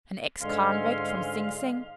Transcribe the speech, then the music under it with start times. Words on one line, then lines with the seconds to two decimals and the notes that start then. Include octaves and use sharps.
An ex-convict from Sing Sing!
0.41 G#2 D3 F3 G#3 C#4 F5 C6